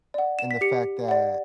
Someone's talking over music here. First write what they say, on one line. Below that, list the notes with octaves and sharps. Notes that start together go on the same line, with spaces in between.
in the fact that
D5 F#5
E7
B6
G4 C#7
D5 F#5